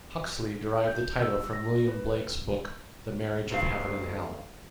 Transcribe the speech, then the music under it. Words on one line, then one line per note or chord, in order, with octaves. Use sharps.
Huxley derived the title from William Blake's book "The Marriage of Heaven and Hell".
G6
E6
A#6
B4
D2 G2 F5